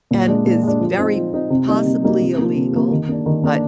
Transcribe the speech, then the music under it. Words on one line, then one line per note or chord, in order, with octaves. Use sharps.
and is very possibly illegal, but
A#2
G#3 D4
A#2
G#3 D4
F3
C4 D#4
F3
C4 D#4
C3
G3 A#3 D#4
C3
G3 A#3 D#4
C3
F3 A#3
C3
F3 A#3
D#3
A#3 D4
D#3
A#3 D4